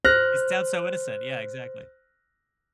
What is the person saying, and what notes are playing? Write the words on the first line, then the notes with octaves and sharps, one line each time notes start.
It sounds so innocent. Yeah, exactly.
C5 F6 F#6 A#6